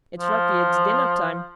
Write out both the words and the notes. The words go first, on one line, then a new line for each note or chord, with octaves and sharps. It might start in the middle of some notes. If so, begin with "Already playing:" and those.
It's lucky it's dinner-time.
F3